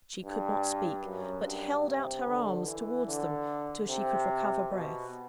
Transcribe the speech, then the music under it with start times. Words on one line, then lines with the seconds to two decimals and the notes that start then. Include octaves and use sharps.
She could not speak, but held out her arms towards them till she could recover breath.
0.22 G2
1.03 F#2
1.43 G2
1.85 C3
2.26 D3
2.66 E3
3.06 D3
3.88 C3
4.69 B2